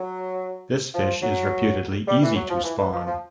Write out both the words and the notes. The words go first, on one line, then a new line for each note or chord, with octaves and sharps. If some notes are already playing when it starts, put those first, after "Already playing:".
This fish is reputedly easy to spawn.
Already playing: F#3
F3
F#3
G3
E3
F#3
F3
E3
E3
F3
F3